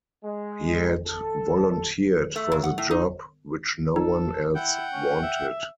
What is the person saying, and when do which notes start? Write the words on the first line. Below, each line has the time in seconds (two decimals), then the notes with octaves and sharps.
He had volunteered for the job, which no one else wanted.
0.23 G#3
1.06 A4
2.36 A3
2.52 A#2
2.63 F#5
2.78 A2
2.91 D#4
3.96 D#4 A4
4.55 E4 F#5 G5
4.93 C#4
5.23 E5